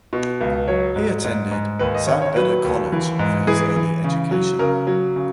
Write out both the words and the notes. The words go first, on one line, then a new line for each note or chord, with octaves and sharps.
He attended San Beda College for his early education.
B2
C#2
F#3 C#5
G#2
G#2
G#2
D#2 B4
D#5
D#3 C#5
C#5
F#3 B4
D#2
E3
G#2
E3 G#4
E3
C#3
F#3
C#3 A#4
F#3
C#3